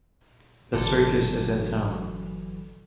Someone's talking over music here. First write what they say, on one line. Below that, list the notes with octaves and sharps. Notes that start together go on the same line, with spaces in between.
The circus is in town!.
G1 D3 E3 F#3 A4